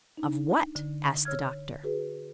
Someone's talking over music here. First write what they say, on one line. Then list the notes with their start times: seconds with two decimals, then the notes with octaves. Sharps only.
"Of what?" asked the Doctor.
0.17 D4 D#4
0.75 D3
1.25 C#5 E6 F6 G#6
1.83 F#4 G#4 B4